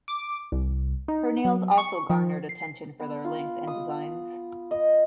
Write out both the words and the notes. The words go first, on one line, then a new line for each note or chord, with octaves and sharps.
Her nails also garnered attention for their length and designs.
D6
C2
D#4
F#3
C#6
F3
C7
B3
F4
D#6
D#5